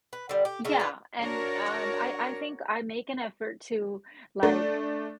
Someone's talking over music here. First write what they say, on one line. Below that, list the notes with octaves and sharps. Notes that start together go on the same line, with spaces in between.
Yeah, and, um, I I think I make an effort to, like,
B4
D3 G3
G4
C#3 A3 D4
F4 B4
D4 F#4 A#4 C#5
A3 D4